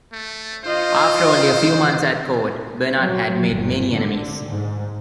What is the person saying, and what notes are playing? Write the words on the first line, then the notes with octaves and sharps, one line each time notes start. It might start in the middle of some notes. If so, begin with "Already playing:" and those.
After only a few months at court, Bernard had made many enemies.
A3
F4 C5 D#5
F#3
G1
D3
G#2